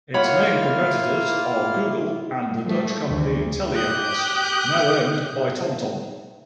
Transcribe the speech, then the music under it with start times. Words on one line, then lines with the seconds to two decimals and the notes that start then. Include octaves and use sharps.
Its main competitors are Google and the Dutch company TeleAtlas now owned by TomTom.
0.14 A#3 E4 F4 C#5 F#5 B5 F6
2.64 F3 A3
3.08 D2
3.75 G4 D#6 F#6 G6